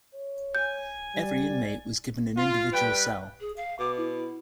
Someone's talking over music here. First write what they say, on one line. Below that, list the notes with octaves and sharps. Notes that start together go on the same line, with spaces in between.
Every inmate was given an individual cell.
C#5
G#5 G6
G3 D5
F4
G3 B4 G5
G#4
F5
B2 D6
E4